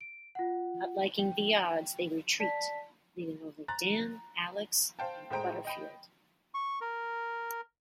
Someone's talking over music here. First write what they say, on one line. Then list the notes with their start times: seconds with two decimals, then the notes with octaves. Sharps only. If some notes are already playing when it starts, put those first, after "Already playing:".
Not liking the odds, they retreat, leaving only Dan, Alex and Butterfield.
0.01 D7
0.35 F4 F#5
1.19 G5
2.40 D5 A5 B6
3.68 A#5 F#6 A6
4.99 C5 F5 G5 A5
5.31 A2 G#3 C5 G5 A#5 D7
5.65 D#5 G5 B5
6.54 C#6
6.81 A#4